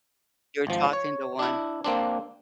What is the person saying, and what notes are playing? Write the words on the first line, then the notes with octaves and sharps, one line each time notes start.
You're talking to one.
G#1 F3
C#5
D4 E4
A#3 C4 D4